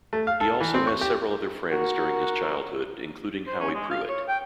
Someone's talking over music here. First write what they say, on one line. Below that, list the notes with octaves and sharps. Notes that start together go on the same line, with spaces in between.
He also has several other friends during his childhood including Howie Pruitt.
A3
F5
A4
E3
C4
C#6
G4
F#4 A#4
C5
C#4
G#3
F5
C#5
G5